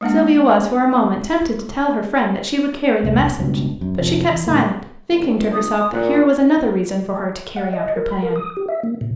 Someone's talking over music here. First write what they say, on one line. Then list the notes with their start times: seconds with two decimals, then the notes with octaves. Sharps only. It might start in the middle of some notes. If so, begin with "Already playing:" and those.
Sylvia was for a moment tempted to tell her friend that she would carry the message, but she kept silent, thinking to herself that here was another reason for her to carry out her plan.
0.01 G#3 A#3 D4 F#5
3.03 E1 C2
3.39 C#2 G2 B2
3.81 F#2
3.99 F1 C3 F3
4.30 E3
4.47 A2 D3 G#3 A#3
5.10 G1
5.53 D#6
5.92 A#2 F#5
7.56 F#5
7.73 D#5
7.96 A#4
8.10 B5
8.22 A#4
8.36 D#6
8.57 G4
8.68 E5
8.83 A#3
9.01 A#2